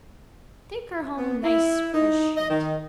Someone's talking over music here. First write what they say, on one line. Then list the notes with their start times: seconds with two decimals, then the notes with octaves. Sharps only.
Take her home nice preshent.
1.17 B3
1.44 E4
1.94 D#4
2.37 D#5
2.50 D#3